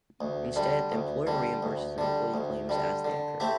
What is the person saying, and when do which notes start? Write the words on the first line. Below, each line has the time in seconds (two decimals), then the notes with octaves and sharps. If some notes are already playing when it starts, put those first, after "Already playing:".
Instead, the employer reimburses employee claims as they occur.
0.21 D2
0.56 D3 G3
0.92 D2
1.27 D3 G3
1.63 D2
1.98 D3 G3
2.34 D2
2.69 D3 G3
3.05 D3
3.40 A3 C4 E4 G4